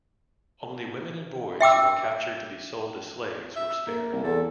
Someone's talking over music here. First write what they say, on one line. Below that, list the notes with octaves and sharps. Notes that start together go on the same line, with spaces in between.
Only women and boys who were captured to be sold as slaves were spared.
E5 G5 D6 E6
E5
A#3
C2
E2 A4